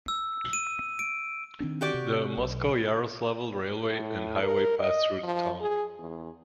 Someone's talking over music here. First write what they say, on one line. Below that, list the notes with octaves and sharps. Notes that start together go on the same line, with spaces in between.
The Moscow-Yaroslavl railway and highway pass through the town.
E6
D#7
D7
D#3 C4 D4
F#4 G4 D5
C3
B1
A2
A#4
D#5
F3
G#4
E2